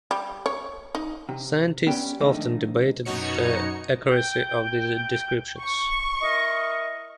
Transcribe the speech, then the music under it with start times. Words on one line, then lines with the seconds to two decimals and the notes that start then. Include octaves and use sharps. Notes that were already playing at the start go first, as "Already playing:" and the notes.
Scientists often debated the accuracy of these descriptions.
0.11 G3
0.46 C#5
0.95 D#4
1.29 C3
1.87 B3 C#4 G4 D5 G5
2.21 F2 G#2 D3 D#3 A3 D#4
3.05 F#2 B2 D#4 F#4 C#5 C#7
4.11 G5
5.61 C#6
6.22 E4 A#4 D#5